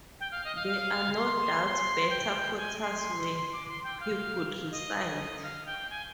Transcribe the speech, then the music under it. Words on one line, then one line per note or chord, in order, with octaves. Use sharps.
There are no doubt better quarters where he could reside.
G5
F5
D#5
F5
F5
C6
C6
G5
G#5
C6
D6
C6
G5
F5
D#5
D#5
F5
G5
G#5